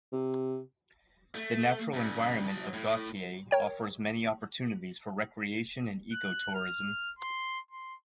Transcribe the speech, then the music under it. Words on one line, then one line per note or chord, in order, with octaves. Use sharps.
The natural environment of Gautier offers many opportunities for recreation and eco-tourism.
C3
A3
G2 C#3
F#3 A5
A2
A#4 C#5 G5
F#6
F6
C6
C6